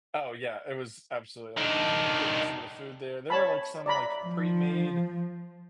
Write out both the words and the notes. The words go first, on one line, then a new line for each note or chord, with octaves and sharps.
Oh yeah, it was absolutely, like eh, getting some of the food there there were, like, some, like, pre-made,
D#3 D4
C#5 A5 B5
D5 A#5 B5
F3